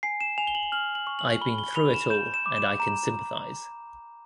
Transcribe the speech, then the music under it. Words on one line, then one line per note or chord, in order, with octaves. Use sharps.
I've been through it all, and I can sympathize.
G#5 C7
E7
G#5 F7
G7
F#7
F6 F#7
F#7
C#6
F#7
B5 G7
G7
B5 F7
E7
G6 E7
E7
D6
E7
A#5 E7